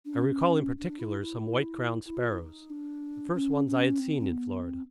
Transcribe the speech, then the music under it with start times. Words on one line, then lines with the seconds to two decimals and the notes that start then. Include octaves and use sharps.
I recall in particular some white-crowned sparrows, the first ones I had seen in Florida.
0.05 D4
0.14 C#4
0.78 D4
0.99 E4
1.21 E4
2.06 E4
2.17 F#4
2.24 F4
2.31 E4
2.39 D#4
2.70 D4
3.34 C#4
3.67 C#4
3.99 C4
4.19 C4
4.31 B3
4.63 C4